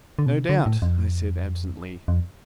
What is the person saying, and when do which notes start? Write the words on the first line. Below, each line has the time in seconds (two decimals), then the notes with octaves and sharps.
"No doubt," I said absently.
0.19 D3
0.26 B2
0.34 C3
0.49 D3
0.66 A2
0.82 F2
2.08 F2